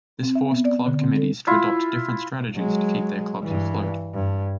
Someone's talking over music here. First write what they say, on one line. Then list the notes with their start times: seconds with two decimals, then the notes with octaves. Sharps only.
This forced club committees to adopt different strategies to keep their clubs afloat.
0.23 C4
0.35 E5
0.51 B3
0.65 D5
0.86 D3
1.02 C4
1.16 A4
1.47 E4 F4
2.55 F#3 G#3
3.43 G2 E3
4.14 G2